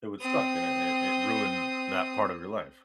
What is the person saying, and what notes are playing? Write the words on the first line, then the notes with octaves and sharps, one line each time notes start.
it would suck, and it it it ruined that part of your life
C4 D#6